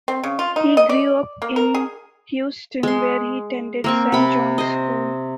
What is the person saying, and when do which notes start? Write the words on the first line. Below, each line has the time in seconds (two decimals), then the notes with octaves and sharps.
He grew up in Houston, where he attended Saint John's School.
0.08 C4
0.23 C#3
0.39 F4
0.56 D#4
0.77 D#5
0.89 D5
1.42 A#3
1.56 A#4
1.75 G#4
2.83 G#3 C6
3.84 A#3 C4 C#6
4.12 C3 B5
4.58 C5 D#5